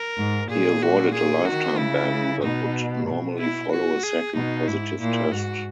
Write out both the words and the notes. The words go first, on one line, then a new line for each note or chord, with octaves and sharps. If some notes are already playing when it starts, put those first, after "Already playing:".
He avoided a lifetime ban that would normally follow a second positive test.
Already playing: A#4
G#2
A#2 G#4
F#4
G#4
D#3 F#4
C#3 E4
B2 D#4
B2
E4
F#4
G#4
B2 D#4
G#2 E4
A#2 E4
G#2 F#4